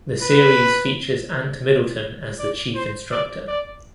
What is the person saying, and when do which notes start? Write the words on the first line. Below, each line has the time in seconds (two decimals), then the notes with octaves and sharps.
The series features Ant Middleton as the chief instructor.
0.22 B4
2.39 D5
2.75 C5
3.11 D5
3.48 D5